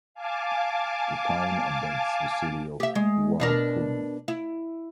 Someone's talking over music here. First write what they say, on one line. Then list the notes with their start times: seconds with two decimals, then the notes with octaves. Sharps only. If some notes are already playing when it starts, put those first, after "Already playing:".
The town abuts the city of Waupun.
0.14 F5 G#5 A5 D6
2.80 G4 E5
2.95 G#3
3.40 B2 D4 A#4
4.28 E4